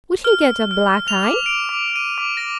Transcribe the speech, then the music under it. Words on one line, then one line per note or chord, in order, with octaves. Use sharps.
Would he get a black eye?
F6
F6
F7
D6
D7
D6
D#7
D6
A#6